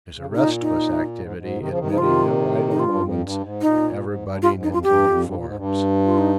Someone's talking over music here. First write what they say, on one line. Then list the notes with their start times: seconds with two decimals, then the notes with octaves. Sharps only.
It is a restless activity, admitting no idle moments and ever budding into new forms.
0.17 C#3
0.26 C3
0.35 A#2 D#4
0.61 D#4
1.18 G#2
1.37 G#2
1.58 C3 D#3
1.68 C#3 F3
1.78 C3 D#3
1.88 C#3 F3 D#4
1.98 C3 D#3 F4
2.71 D#4
2.79 G2 F4
3.00 F2
3.21 G2
3.40 G#2
3.61 A#2 D#4
4.03 G#2
4.22 G2
4.42 G2 F4
4.53 G#2
4.63 G2 D#4
4.73 F2 F4
4.83 G2 G4
5.03 F2
5.24 G2
5.35 A#2
5.45 G#2
5.55 G2
6.06 F4
6.18 D#4